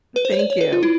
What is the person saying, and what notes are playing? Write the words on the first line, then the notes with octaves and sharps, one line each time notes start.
Thank you.
B4
C5
C#5
D5
C#5
B4
F4
E4